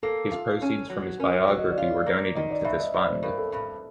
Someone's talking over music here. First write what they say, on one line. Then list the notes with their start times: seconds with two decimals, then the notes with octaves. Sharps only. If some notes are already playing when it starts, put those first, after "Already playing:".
His proceeds from his biography were donated to this fund.
0.03 A#3 A4
0.32 F4
0.62 C#4
0.90 F#3
1.19 C#4 A#4
1.38 C#5
1.48 F#3
1.58 D#5
1.70 D5
1.78 F4 C#5
1.94 D5
2.06 A#3
2.35 D#3 D#5
2.50 D5
2.65 G2 E5
2.80 D#5
2.94 G2 D5
3.08 C5
3.23 G2 A#4
3.38 A4
3.52 G2